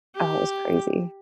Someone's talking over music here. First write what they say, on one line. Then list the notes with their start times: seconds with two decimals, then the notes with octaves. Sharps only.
Oh, it was crazy.
0.15 G4